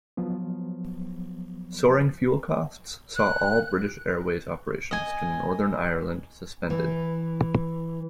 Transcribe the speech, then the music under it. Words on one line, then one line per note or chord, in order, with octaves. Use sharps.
Soaring fuel costs saw all British Airways operations to Northern Ireland suspended.
F3 F#3 B3
F#6
D#5 G#5
E3